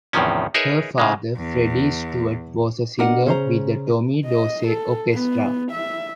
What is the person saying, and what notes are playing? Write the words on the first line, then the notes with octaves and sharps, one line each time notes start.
Her father, Freddie Stewart, was a singer with the Tommy Dorsey Orchestra.
E2 A2 C3 D#3 F3 C#4
D#4 G#4 A#4 B4 C#5 E5
G#2 C#3 G#3
E2
B2 D4 A#4 F#5
C#3 C#4 C5 A#5
D#5
A4
B3
E5